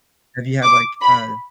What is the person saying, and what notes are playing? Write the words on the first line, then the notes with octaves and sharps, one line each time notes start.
Have you had, like, uh,
D6
B5